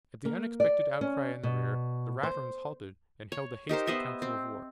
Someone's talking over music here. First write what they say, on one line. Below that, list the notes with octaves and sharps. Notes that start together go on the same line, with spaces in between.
At the unexpected outcry in the rear the Raturans halted, and held a hasty council of war.
A#3
D5
C#4
B2
C5
C#5
D#4 G4 A#4 C5
B3 C5 D#5 E5
C4